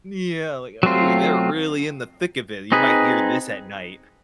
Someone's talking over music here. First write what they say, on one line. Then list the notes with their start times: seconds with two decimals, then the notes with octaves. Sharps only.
Yeah, like, oh, they're really in the thick of it, you might hear this at night.
0.83 F#3 A3 C4 F4
2.72 C4 D#4 G#4 B4